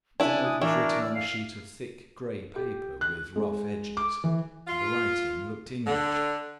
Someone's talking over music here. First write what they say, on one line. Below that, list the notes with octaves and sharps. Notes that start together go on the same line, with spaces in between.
The note was written on a sheet of thick grey paper, with rough edges; the writing looked English.
D4 E4 G#5
G#5 D#6
E3 D4 E4 A#4 C#6
D5 E6
F5
G4
F#6
G#3
D6
E3
F4
D3